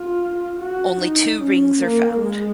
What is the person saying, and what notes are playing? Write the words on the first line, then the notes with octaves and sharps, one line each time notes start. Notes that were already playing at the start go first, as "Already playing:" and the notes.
Only two rings are found.
Already playing: F4
F#4
D#4
C#4
A#3
G#3